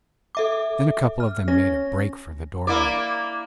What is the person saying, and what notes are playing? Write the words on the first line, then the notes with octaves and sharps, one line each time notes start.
Then a couple of them made a break for the doorway.
A4 E5 D6
F6
C#4 A#6
A#3 E4 D5